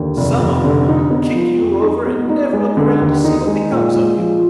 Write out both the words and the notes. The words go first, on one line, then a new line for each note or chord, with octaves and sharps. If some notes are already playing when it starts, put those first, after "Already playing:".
Some of them will kick you over and never look around to see what becomes of you.
Already playing: D#2 D3
F1
F1
D3
D#4
B3
F3
F2
D#4
B3
D#4
G#3
D3
D#2
D#4
G#3
A#2
G#3
F3